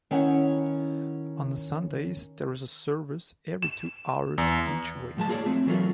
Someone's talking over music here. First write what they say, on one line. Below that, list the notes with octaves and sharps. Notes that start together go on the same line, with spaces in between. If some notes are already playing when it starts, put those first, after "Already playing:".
On Sundays there is a service every two hours each way.
D#3 C#4 E4 F#5
E7
E2
A2 F3 G#3 A5
A#3 F4 G#4 C#5 D5
A3 C4
E3 F#3 A3 F4 A#4